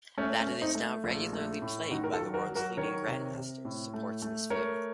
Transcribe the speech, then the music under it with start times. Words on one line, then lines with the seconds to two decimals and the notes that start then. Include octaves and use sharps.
That it is now regularly played by the world's leading Grandmasters, supports this view.
0.18 A3 C#4
0.40 C#4
0.47 A3
0.61 C4 D#4
0.75 A3
1.04 A#1
1.33 A3
1.62 A2
1.91 D#3 D#4 F#4
2.04 A#4
2.13 F4 A4
2.21 F#3
2.34 F#4 A#4
2.49 F#3
2.55 F#4 A#4
2.77 D#3 A#4 C#5
3.07 C3
3.36 C3
3.65 A2
3.94 A3
4.22 A3
4.50 A3 A#4 C#5